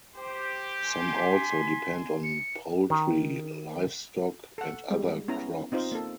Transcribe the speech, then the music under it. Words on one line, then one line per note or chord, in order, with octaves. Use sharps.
Some also depend on poultry, livestock, and other crops.
G4 C5
G#5 C6
B6
C#7
D#3
A4 F#5
G3 G#3
B3 C#4 E4 A#5
C4 D#4 F4 C5
A#3 A4